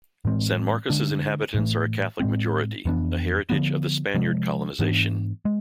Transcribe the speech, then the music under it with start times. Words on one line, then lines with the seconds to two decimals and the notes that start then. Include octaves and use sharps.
San Marcos' inhabitants are a Catholic majority, a heritage of the Spaniard Colonization.
0.25 A2 E3 G#3 C4
0.90 D3 G#3 D4
1.54 A2 E3 A3
2.20 A2 G#3 C4
2.85 F2 E3 B3 D4
3.50 D3 F3 B3
4.15 C3 F3 G#3
4.79 G#2 E3 B3 D4
5.45 G#3